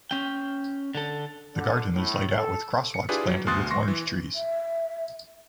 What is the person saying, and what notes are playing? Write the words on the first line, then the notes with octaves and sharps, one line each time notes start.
The garden is laid out with crosswalks planted with orange-trees.
C#4 G5
D3 A4
D3
A2
A4
C#7
D4 E4 F4 G4 G#4 B4
F#3
D2 B2 C6 D#6 F#6 A6
C6 C#6 A#6
E3
E5